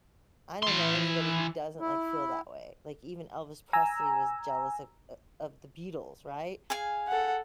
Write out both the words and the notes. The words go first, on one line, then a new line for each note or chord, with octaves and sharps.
I I don't know anybody who doesn't, like, feel that way. Like, even Elvis Presley was jealous of, uh, of the Beatles, right?
E3 C6
E4
G#5 A#5 E6
G#4 F5 G#5
A4 F#5